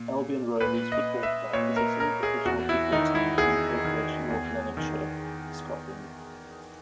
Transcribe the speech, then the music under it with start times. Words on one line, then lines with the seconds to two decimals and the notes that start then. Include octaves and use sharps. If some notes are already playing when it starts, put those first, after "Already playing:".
Albion Rovers Football Club is a semi-professional football team from Coatbridge, North Lanarkshire, Scotland.
Already playing: A#2
0.60 A#2 B4
0.92 D#5
1.23 E5
1.53 A#2 C#5
1.76 A#4
2.00 A#4
2.23 G#4
2.45 E2 F#4
2.69 E4
2.92 D#3 D#4
3.15 E4
3.38 E2 G#4
3.85 D#3
4.30 E2
4.77 D#3